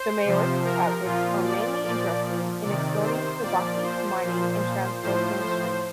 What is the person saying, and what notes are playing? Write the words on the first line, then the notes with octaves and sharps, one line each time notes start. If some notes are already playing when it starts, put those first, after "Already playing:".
The Maoist outfits are mainly interested in extorting the bauxite mining and transport industry.
Already playing: C5
C3 F3
A#4
A#2 F3 F4
D5
A#2 F3 D5
C3 D#3 D5
C5
A#2 F3 D5
C5
A#2 F3
A2 F3 C5
C5